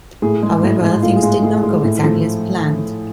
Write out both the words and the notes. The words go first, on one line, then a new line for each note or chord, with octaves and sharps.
However, things did not go exactly as planned.
A2 G#4
G#3
A2
G#3
A2 F4
G#4
G#3
A2 G#4
G#3
A2
F3 A3